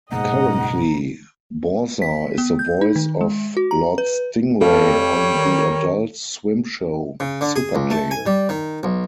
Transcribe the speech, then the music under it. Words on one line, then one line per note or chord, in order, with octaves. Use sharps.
Currently, Bauza is the voice of Lord Stingray on the Adult Swim show, Superjail!
F#1 G#2 B2 A#3 D#5 F#5 A#5
B6
B3
G6
D#4
D#3
G#3
F#4
A#5
B4
F2 G3 A4 C#5 F5
D#3
C#3
D3
G#4
C#2
A3
G#5
G3
D#3
B1